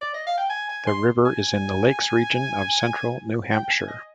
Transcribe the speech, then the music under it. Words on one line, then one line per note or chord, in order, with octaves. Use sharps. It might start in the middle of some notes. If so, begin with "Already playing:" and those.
The river is in the Lakes Region of central New Hampshire.
D5
D#5
F5
G5
G#5
G#5
C6
G#5
G5
G5
G#5
D#5